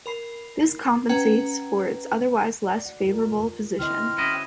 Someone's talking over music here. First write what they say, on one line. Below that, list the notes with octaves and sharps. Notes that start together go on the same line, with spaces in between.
This compensates for its otherwise less favourable position.
A#4 B5 C7
C#4 B4 F#5 G5 A#5
D5
F#5
F4 A#4
D3 C4 E4 D#5 F6
C#4 E4 F#4 D#5